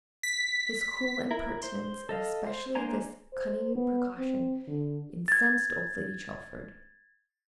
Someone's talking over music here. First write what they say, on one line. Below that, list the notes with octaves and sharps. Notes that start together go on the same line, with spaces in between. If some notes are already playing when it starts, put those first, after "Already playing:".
His cool impertinence, and especially this cunning precaution, incensed old Lady Chelford.
B6
E4 A#4
C5 C6
A4 D#5 F5
C5
A#3 D4 C5 G#5 A#5
C5
B3
C4
D3
G#6 A6